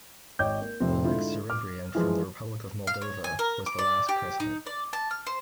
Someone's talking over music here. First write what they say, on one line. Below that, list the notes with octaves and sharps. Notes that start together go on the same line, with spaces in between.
Oleg Serebrian from the Republic of Moldova was the last President.
G#1 C#5 D#5 G5 D6 G6
A#3
F1 C3 F3 C4
G#2 D3 E4 F4
D6 F6
E3 F3 G#3 G#4
F5
C#5
G#5
A#4
D6
D5
G4
D#4
D5
A5
F6
C5